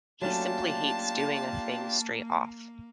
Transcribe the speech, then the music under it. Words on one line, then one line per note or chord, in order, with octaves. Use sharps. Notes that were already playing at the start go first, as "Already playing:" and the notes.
He simply hates doing a thing straight off.
F#3 A3 A#3 C#4 D4 F4 G4 A5